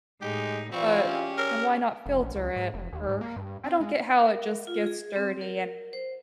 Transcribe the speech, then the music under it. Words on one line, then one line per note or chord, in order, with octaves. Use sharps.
but then why not filter it, or I don't get how it just gets dirty and
A2 G#3 D#4 G4
E3 G3 C4 F4 C#6
C#4 G4 G#4
A#4 C#5
F1
A#1
C#2
G#2
F1
D#2
G#2
A#3
G2
C4
G#3
A#4
F4
G#4
C4
A#4
C5